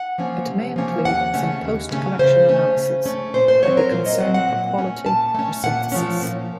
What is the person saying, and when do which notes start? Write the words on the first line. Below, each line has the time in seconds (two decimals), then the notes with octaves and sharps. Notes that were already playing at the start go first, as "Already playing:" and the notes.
It may include some post-collection analysis like a concern for quality or synthesis.
Already playing: F#5
0.18 F3 A#3 C#4
0.47 C3
0.76 F3 A#3 C#4
1.05 D#2 F#5
1.34 C#3 A3 C#4
1.62 D#2
1.91 C#3 A3 C#4
2.19 C#3 C5
2.49 A3 C#4
2.76 C#3
3.06 A3 C#4
3.34 A#2 C5
3.48 C5
3.62 F#3 C4 C#5
3.77 A#4
3.91 A#2 F4
4.06 D#5
4.20 F#3 C4 F#5
4.34 F#5
4.49 A#2
4.78 A3 C#4
5.06 A#2 A5
5.35 A3 C#4
5.63 A#2 F#5
5.92 F3 A3 C#4
6.21 A#2